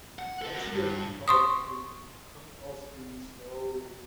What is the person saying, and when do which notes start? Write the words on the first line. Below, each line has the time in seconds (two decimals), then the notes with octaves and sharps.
Especially as an adult because some adults can be so
0.19 F#5
0.42 A4 F#5
0.54 F#4 A#4
0.73 G2
1.28 C6 C#6 D#6